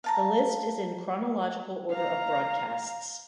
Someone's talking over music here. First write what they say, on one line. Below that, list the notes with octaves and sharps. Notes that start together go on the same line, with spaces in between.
This list is in chronological order of broadcasts.
F5 A5 A#5
F5 A#5